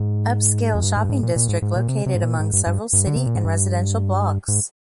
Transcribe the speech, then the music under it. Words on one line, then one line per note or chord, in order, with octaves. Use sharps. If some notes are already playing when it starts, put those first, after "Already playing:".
Upscale shopping district located among several city and residential blocks.
Already playing: G#2
F2
G2
G#2
G2
G#2
A#2
A#2
G#2
G#2
A#2
C3
C3
G#2
A#2
G#2
G2
G2
G2
D3
C3
A#2
G#2
G2
G#2